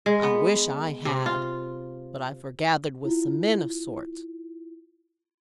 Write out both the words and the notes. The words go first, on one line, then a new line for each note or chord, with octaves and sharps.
'I wish I had; but I forgathered with some men of sorts.
G#3
B3
C3
F4
E4 F4